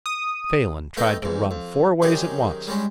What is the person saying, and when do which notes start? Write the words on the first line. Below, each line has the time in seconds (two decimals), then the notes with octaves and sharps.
Phelan tried to run four ways at once.
0.06 D#6
0.97 A3 B3 D#4 D#5 G5
1.22 E2 G#2
1.51 F2
2.02 F#2 D#3 G4 G#4 C5
2.67 G3 G#3 C#4 D4